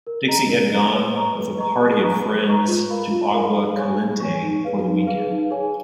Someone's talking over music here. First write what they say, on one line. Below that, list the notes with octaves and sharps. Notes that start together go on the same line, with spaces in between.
Dixie had gone with a party of friends to Agua Caliente for the weekend.
A#4
D#5 A#5
A#4
D#5 A#5
B4
D#5 A#5 C#6
B4
D#5 A#5 C#6
G#4
B4 D#5 A#5 C#6
G#4
B4 D#5 A#5 C#6
F4
A#4 F5 B5
F4
A#4 F5 B5
G#4
C#5 G#5 C#6
G#4
C#5 G#5 C#6
D#4
G#4 B4 F5
D#4
G#4 B4 F5
D#4
G#4 C#5 G#5